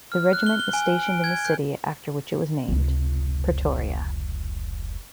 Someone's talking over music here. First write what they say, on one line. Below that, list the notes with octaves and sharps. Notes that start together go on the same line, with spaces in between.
The Regiment is stationed in the city after which it was named, Pretoria.
F6
F#6
G7
G7
G#5
D7
G#6
G6
F1 C#2